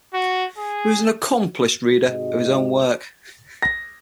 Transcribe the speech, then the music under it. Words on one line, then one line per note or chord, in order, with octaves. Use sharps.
He was an accomplished reader of his own work.
F#4
G#4
G#2 C3 G#3 F#4 D#5
A#6